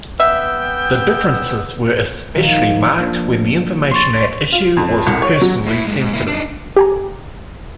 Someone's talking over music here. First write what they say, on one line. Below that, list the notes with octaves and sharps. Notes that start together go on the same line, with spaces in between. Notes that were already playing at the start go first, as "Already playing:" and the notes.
The differences were especially marked when the information at issue was personally sensitive.
B3 E5 G5 E6
A#2 D#3 F3 G#3
F3 A#3 D4
C6 C#6 A6
F4
F2
C2
C#5
F#3
A2 E4
G2 G#3
G#2
A#3 E4
D4 D#4
G4 G#5 A#5